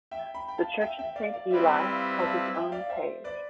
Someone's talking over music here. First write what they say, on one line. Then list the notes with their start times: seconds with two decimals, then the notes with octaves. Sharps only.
The Church of Saint Elli has its own page.
0.11 E5 G5
0.34 G5 B5
0.48 G5
0.58 F5 A5
0.81 E5 G5
0.99 E5 G5
1.16 D5 F5
1.33 D5 F5
1.50 G3 C4 E4 B4 C5 E5
1.85 D5 F5
2.20 F5 A5
2.55 E5 G5
2.72 D5 F5
2.90 C5 E5
3.24 B4 D5